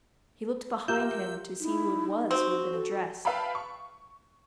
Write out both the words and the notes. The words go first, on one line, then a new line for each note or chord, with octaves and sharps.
He looked behind him to see who it was who had been addressed.
F4 G4 A#4 E5 G6
D#4 E4
C4 F#4
A4
B4 E5 F5 G5 A5 B5
C#6